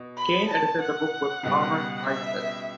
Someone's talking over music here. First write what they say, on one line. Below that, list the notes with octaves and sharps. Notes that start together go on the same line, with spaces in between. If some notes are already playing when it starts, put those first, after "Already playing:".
Kane edited the book with Armand Eisen.
Already playing: B2
B5
A5
F#5
C#2 B2 G3
E5